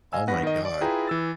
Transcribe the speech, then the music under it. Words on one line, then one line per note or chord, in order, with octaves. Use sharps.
Oh my gosh.
D#5 F5 G#5 E6
G2 B3 B4 F#5 A#6
D#3 D#5
D5
E4 F4 G#4 B4 G5 A#5
E3 E6 A6